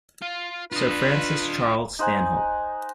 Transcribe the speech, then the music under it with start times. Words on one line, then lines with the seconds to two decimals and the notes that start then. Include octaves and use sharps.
Sir Francis Charles Stanhope.
0.22 F4
0.72 D4 F4 B4 D#5
1.99 D#4 C5 F#5 G#5